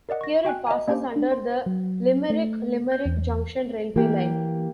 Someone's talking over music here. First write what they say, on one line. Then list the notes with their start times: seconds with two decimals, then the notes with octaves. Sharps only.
Here it passes under the Limerick-Limerick Junction railway line.
0.09 A#4 D5 D#5 F#5
0.21 C#6 A#6
0.45 F#4 G5 G#5 F#6
0.67 D#5 E5 G#5
0.88 A#3 C#4 D4 G4 C5
1.16 D4
1.32 C5
1.66 F#3
2.30 A3
2.92 G6
3.06 E2
3.96 E3 A#3 G4